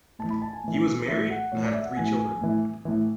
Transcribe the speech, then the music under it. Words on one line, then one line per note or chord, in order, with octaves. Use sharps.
He was married and had three children.
A2 E3 A5
B5
A5
G#5
A2 E3
A2 E3 E5
F#5
A2 E3 C#5
D5
E5
F#5
A2 E3 G#5
G#5
A2 E3
A2 E3